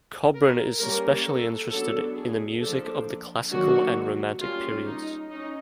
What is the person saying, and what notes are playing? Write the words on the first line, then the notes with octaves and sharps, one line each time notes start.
Kobrin is especially interested in the music of the classical and romantic periods.
A#4
G3 A#3 C#4 A#4
A4
F#3 B3 D4 A4
G#4
F3 A#3 D4 A4
D#3 F#3 A#3 D4 F#4
G3 A#3 C#4 F4
D#4
C#4 D#4